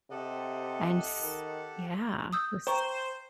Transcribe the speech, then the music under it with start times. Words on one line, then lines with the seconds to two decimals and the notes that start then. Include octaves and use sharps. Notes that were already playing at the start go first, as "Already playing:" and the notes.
And, s yeah. It was
0.11 C3 G4 A4 D#5 F#5
1.21 D#3
2.33 D#6 E6 G6
2.67 C5 G5 A#5 C#6